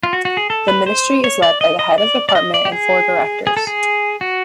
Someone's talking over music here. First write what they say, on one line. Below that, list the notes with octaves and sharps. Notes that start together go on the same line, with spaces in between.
The Ministry is led by the Head of Department and four Directors.
F4
F#4
F#4
G#4
A4
B4
C5
C#5
D5
D#5
D#5
D5
D5
D#5
D5
G4
G#4
G#4
A4
G#4
F#4